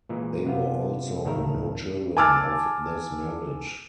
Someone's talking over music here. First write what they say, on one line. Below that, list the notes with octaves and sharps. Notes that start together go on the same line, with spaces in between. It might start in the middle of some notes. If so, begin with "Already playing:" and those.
There were also no children of this marriage.
A#2 E3 G#3
C3 B3 E4 F4
C#2 A2 D#3 A4 A#4 E5
G#5 A5 D6 E6 F6 A6